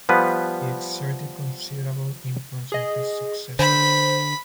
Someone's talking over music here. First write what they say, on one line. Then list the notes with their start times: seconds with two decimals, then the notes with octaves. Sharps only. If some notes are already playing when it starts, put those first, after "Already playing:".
He exerted considerable influence on his successors.
0.09 F3 G3 B3 B4
2.72 G#4 D#5
3.59 D3 C5 B5